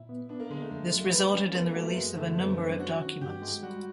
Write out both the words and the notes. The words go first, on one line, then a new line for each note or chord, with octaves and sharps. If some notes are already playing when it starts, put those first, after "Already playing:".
This resulted in the release of a number of documents.
Already playing: A#2 E4
B3
B3 D4
A#3
D3 G#3
A3
F2 G#3
A3
F#3
A#3
B4
C#4
G#3 B3
A#3
A3 F#4
A3
F#2 G#3
D3 A3
F#2 B3
C4
F#3 C4
D4
C#4 F#4
D#3
G2 G4
G#3
G3 F#4